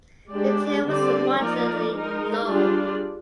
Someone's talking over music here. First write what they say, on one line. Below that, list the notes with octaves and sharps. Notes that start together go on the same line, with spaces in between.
The tail was moderately long.
G#3 D4 G4 D5
D3 G3 C4 G4 D5
F3 A#3 D#4 A#4 D5
G#3 D#4 A#4
G3 D4 F4 G#4 D5